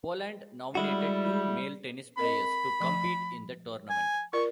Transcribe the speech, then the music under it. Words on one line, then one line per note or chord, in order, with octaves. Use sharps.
Poland nominated two male tennis players to compete in the tournament.
G3 G#3 E4 F#4
C4 A#4 D#5 B5
F3 A3 C#6
G#5
F4 A#4 D5 C#6